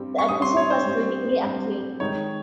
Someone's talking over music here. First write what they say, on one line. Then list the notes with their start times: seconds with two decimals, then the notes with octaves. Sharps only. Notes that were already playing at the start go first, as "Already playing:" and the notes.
The episode was critically acclaimed.
Already playing: G2 G3 C4
0.18 C#6
0.28 G2 G3 C4 D#6
0.42 C6
0.57 C#5
0.70 C5
0.86 G2 G3 C4
1.43 G2 G3 C4
2.00 D#3 G#3 D#4 C#5